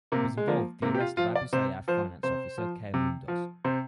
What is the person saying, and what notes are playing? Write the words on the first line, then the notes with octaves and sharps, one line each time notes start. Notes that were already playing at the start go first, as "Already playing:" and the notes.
He was involved the arrest of Abu Sayyaf finance officer Khair Mundos.
C3 A#3
G#3
F3 A#3
C3 A#3
G4
F4
F3 F4
D5
C3 C5
F3 C5
C3 C5
F3
C3
F3
C3 C5